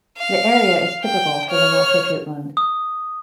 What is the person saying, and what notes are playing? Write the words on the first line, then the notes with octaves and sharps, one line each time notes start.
The area is typical for the north of Jutland.
F5
G5
C#5 F6
D#6